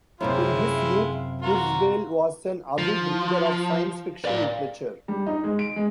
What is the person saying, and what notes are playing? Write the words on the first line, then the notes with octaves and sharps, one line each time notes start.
In his youth, Kurzweil was an avid reader of science fiction literature.
F#2 A2 C3 G#3 E4 F4
F4 F#4 A#4
F3
D5 F5
G3
D#4
G#3
D7
G#3